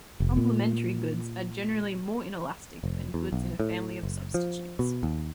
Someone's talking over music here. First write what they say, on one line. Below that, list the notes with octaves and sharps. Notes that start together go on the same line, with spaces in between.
Complementary goods are generally more inelastic than goods in a family of substitutes.
F1
A#2
F1
E2
B1
A2
F#1
F3
B2
D#2